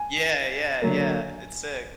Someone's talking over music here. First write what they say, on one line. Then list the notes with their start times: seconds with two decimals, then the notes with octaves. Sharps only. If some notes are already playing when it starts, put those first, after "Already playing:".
Yeah, yeah, yeah, it's sick.
Already playing: G#5
0.82 D3 F#3 A#3